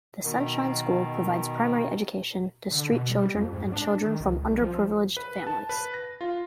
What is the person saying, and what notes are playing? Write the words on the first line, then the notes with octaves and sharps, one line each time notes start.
The Sunshine School provides primary education to street children and children from underprivileged families.
B2 D#3
D3
B2
G3
F2
G#2
D4
D#3
C#2
C2
F3
B4
A5
B4
A#6
F4